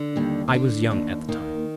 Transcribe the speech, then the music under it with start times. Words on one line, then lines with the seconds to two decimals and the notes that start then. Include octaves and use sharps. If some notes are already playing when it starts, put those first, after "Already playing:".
I was young at the time.
Already playing: D3
0.16 D#2 G3
0.48 C4
0.54 D3 D4
0.91 D#2 D4
1.29 D#3 A#3